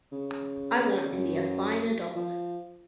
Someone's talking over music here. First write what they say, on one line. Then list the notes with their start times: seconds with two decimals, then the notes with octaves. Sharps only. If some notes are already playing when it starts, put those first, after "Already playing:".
I want to be a fine adult.
0.12 C#3
1.12 F#2
2.16 F3